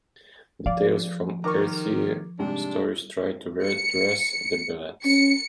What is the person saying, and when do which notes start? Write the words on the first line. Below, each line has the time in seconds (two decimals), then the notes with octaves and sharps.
The "Tales from Earthsea" stories try to redress the balance.
0.66 F3 D5 F5
1.44 D#3 A#4 A#5 C#6 D6
2.39 G#2 C3 G3 D4
3.64 C#7
5.05 C#4 C#7